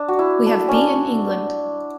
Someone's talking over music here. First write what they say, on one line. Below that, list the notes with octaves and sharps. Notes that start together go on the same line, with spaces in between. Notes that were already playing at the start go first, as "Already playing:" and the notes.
We have beaten England!
Already playing: D4
F#4
E4
D4
C#4
D4